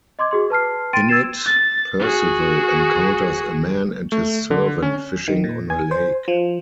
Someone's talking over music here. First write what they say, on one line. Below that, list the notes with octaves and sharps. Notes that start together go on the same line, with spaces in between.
In it, Percival encounters a man and his servant fishing on a lake.
D#5 C6 D6 G#6
F#4 G#4 C6
B4 A5 F6 C7
G5 C6 A6 D7 D#7
E6 G#6 A6 C7 E7
A6
F#4 G#4
A3
D3
C#4
D#3
A#2
G#5
C5
F3